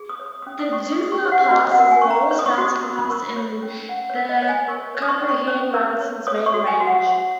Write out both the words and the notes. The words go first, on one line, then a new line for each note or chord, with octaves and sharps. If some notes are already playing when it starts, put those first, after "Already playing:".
The Dukla Pass is the lowest mountain pass in the Carpathian Mountains main range.
Already playing: G#4
D#6
C#5
D#6
D#6
C#4
D#6
C#4 C#6
D#6
G#4
C#6
C#5
F#5
F#4 D#5
F#5
A#4
G#5
C#4 C#6
A#5
C#5
D#6
C#6
F#4 D#6
A#4
A#4 C#6
C#5
C#4
C#4 F#5
C#5
A#4
D#5
C#5
G#5
A#4 C#6
C#5
D#6
C#6
C#4
C#6
C#4
A#4
C#5
C#5 D#6
D#6
C#6
F#4
G#5
F#4
F#5
C#5 F#5